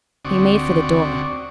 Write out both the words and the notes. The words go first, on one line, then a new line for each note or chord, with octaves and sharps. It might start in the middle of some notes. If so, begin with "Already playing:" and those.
He made for the door.
D2 C4 F#4 D5 C#6 D#6